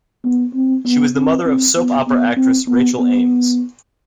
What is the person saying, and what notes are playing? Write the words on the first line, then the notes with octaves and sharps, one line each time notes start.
She was the mother of soap opera actress Rachel Ames.
B3
C4
B3
C4
C4
B3
B3
C4
B3
B3